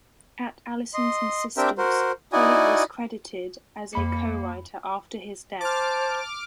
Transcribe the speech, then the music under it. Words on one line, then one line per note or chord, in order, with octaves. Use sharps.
At Allison's insistence, Holly was credited as a co-writer after his death.
D#5 C6
C4 D4 G4 A#4 E5 G5
F#4 A#4 C5
D#4 E4 F#4 D5 D#5 G#5
F2 A#3 B5 C#7
C5 A5 D6 F6